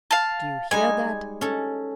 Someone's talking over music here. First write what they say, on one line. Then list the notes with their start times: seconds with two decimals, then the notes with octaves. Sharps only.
Do you hear that?
0.11 F5 A5
0.71 G3 G#3 D#4 G#5
1.41 C#4 A4